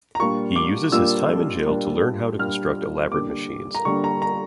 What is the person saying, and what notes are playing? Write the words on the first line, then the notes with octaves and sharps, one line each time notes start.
He uses his time in jail to learn how to construct elaborate machines.
A#5
A#2 G3 A#3 D4 F4 C#6
D6
A#2 G3 A#3 D4 F4 E6
A#2 G3 A#3 D4 F4
A#2 G3 A#3 D4 F4 F6
D3 G3 A#3 D4 D6
A#5
D3 G3 A#3 D4 C#6
A#5
A#5